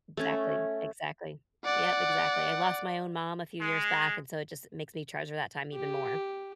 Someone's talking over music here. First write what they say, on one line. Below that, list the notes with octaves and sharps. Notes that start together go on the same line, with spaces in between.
Exactly, exactly. Yep, exactly. I lost my own mom a few years back, and so it just makes me treasure that time even more.
A3 C#4
D5 F#5
G#3
G4